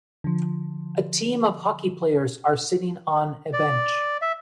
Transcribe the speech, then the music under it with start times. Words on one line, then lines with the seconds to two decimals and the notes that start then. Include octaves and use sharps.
A team of hockey players are sitting on a bench.
0.24 D3 F3
3.53 D5
4.22 E5